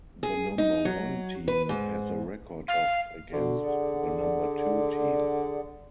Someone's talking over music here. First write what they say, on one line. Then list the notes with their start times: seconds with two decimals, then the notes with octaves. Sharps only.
The number one team has a record of against the number two team.
0.23 G#4
0.58 D#4
0.85 F#3
1.48 B4
1.69 G#2
2.68 F5
3.33 B2 D3 B3 F#4
3.64 G#4 D5 F#5